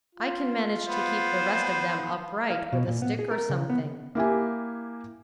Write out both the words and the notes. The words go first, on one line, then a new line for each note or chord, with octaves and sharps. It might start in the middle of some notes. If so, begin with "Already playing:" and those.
"I can manage to keep the rest of them upright with a stick or something."
F4
B3 C5
F5
B2
A#2
B3
G#4
A#4
C#3
B3
A#3 E4 G4 G#5